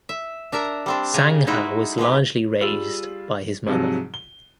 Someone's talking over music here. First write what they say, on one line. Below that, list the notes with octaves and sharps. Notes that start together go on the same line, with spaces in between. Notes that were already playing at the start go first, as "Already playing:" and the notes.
Sangha was largely raised by his mother.
E5
D4 A#4 E5 A#5
G3 C4 D4
C#3 G4 G#5 A#5
G#3 D#4 E4 F#4
B2 G#3 G4 B4
G3 F4 G#4 E6 F#7
G#2 C3 F3 F#3
G7